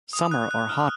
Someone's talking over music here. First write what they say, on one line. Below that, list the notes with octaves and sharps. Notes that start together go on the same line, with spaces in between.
Summer are hottest in month of May and June.
D#6
F#6
F#6
F6